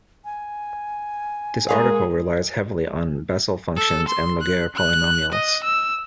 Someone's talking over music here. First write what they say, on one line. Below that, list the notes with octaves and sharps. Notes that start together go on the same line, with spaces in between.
This article relies heavily on Bessel functions and Laguerre polynomials.
G#5
G#3 G#4 A#4 F5
A4
C6
F#6
F#6
D#5
E6